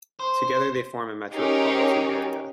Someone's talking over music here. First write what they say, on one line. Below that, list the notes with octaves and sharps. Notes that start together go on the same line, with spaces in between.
Together they form a metropolitan area.
C5
C#4 D#4 G4 G#4 A#4 C#5